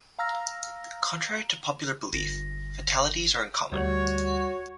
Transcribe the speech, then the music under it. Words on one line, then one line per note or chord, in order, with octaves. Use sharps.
Contrary to popular belief, fatalities are uncommon.
F5 A#5 E6 F6 A#6
G1 A#6
D2 G3 F#4 C#5